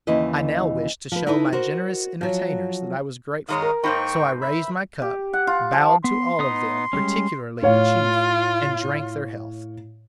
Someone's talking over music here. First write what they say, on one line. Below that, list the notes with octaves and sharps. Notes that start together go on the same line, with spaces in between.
I now wished to show my generous entertainers that I was grateful; so I raised my cup, bowed to all of them, particularly the chief, and drank their health.
D#2 C#3 E3 E4 D#5
F3 B4
D#4 E4 A4 B4 D#5 E5
F#4 A#4 C5 D5
F3 F#3
D#3 G#3 D#4 C#5 F5 D#6
A#4
G#2 A#3 D#4 B4 C5 G5 C#6
E5 B5
G4
F#5
F4
F3
B3 C6
B3 D#4 D#6
G3 G#3 C#4
A2 F4 C#5 F5